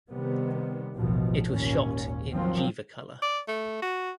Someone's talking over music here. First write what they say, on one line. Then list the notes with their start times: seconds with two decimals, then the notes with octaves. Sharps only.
It was shot in Gevacolor.
0.10 C3 D#3 G3 B3
0.96 A1 D#2 B2 F3
1.45 G#1 D#2 A#2 C#4
2.32 D#3 F3 F#3 C4
3.22 D5
3.48 A3
3.82 F#4